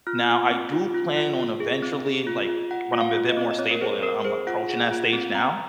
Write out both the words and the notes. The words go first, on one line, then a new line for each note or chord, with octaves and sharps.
Now, I do plan on eventually, like, when I'm a bit more stable, and I'm approaching that stage now,
F4 F6
F4
C4
F4
F4
F4
F4
G#4
C4
G#4
F4
F4
F4 F#5
F4
F5
F4
D#5
C4
D#5
C4 C#5
A#4
G#4 C5
C4 A#4
G#4 C5
F4 F#5
G#4
F4
C4
C4 A#5